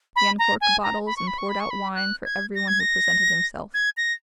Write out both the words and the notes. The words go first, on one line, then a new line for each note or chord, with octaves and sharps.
He uncorked bottles and poured out wine for every one who presented himself.
B5
A#5
G#5
A#5
B5
C#6
B5
C#6
B5
C#6
B5
F#6
G#6
A#6
G#6
A#6
G#6
A#6